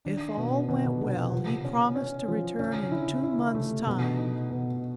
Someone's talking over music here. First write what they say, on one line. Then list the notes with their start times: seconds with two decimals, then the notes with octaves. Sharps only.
If all went well he promised to return in two months' time.
0.05 D#3 D4
0.37 B2
0.68 B2 D#3
0.85 D3
1.01 C3 B3
1.17 B2
1.32 C#3 F3
1.64 C#4
1.96 C#4
2.28 F3
2.59 C#3 C#4
2.76 D3
2.91 C#3 E4
3.07 D3
3.23 D3 E4
3.39 C#3
3.54 C3 A3
3.71 D3
3.87 B2 D3
4.19 D#4
4.50 B2